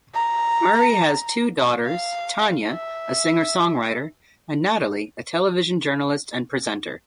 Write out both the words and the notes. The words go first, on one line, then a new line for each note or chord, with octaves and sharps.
Murray has two daughters, Tania, a singer-songwriter, and Natalie, a television journalist and presenter.
A#5
F5
E5